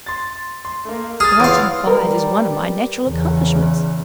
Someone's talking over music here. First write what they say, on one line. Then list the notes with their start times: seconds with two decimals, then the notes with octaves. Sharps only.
Lighting fires is one of my natural accomplishments.'
0.06 C6 A6
0.65 C6
0.85 A3 A#3
1.20 G#4 F6 A6
1.40 E2 C#5 F5 C6
1.87 G3 A#4 B4
3.02 E2 C#3